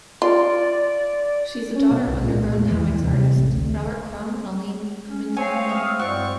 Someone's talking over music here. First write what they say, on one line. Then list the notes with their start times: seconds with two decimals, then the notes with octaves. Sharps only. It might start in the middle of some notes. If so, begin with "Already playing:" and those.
She is the daughter of underground comix artists Robert Crumb and Aline Kominsky-Crumb.
0.22 F4 D5
1.75 C#4
1.91 B2
2.07 C2
2.24 A#2
2.44 G#3
2.58 E2
2.71 E3
2.89 D#2
3.03 C3
3.37 A1
3.52 D2
5.07 C#4
5.37 G#3 A3 C4 C#5 F5 G#5
5.69 E5 D#6 F6
5.99 G2 G#3 C4 E4 F#4 C5 D5 C#6